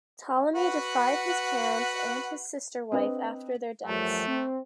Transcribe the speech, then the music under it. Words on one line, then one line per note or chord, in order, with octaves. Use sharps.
Ptolemy deified his parents and his sister-wife after their deaths.
F#4 B4 F#5
C4 D4 B4 D#5
F#2 F3 G3 A3
C4